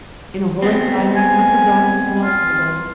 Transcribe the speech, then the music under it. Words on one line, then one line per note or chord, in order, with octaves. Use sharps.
In a horrid silence Mrs. Darling smelt the bowl.
G#3 B3 C4
G#5
F4